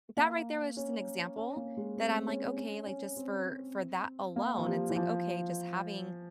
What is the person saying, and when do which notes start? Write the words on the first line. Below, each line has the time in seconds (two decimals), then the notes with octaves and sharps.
that right there was just an example that I'm like, okay, like, just for for that alone, it's like, okay, just having
0.17 A#3
0.77 C#4
1.36 C#4
1.56 A#3
1.77 G#3
1.97 C4
2.27 C#4
2.57 C#4
2.87 C#4
3.16 C4
4.36 A#3
4.58 F3
4.66 G3
4.89 E3
4.96 F3